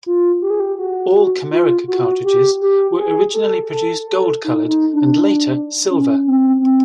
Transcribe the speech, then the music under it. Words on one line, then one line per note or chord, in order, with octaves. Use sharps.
All Camerica cartridges were originally produced gold colored, and later silver.
F4
G4
G#4
G4
F#4
F4
F#4
G4
G4
G#4
A4
A4
A4
D#4
D#4
D4
C#4
C4
C4